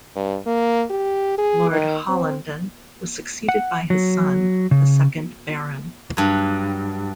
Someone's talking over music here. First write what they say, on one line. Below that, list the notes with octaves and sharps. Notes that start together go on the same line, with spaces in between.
Lord Hollenden was succeeded by his son, the second Baron.
G2
A#3
G4
G#4
D#3
C4
F#5
F#3
C#3
G2 F#3